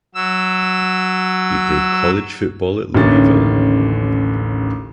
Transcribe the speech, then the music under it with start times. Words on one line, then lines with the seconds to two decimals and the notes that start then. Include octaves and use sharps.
He played college football at Louisville.
0.14 F#3 E6
2.95 A1 D#2 D3 C#4 A6